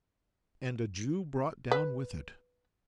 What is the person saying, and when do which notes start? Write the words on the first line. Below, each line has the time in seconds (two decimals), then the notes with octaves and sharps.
'And a Jew brought down with it!
1.72 B4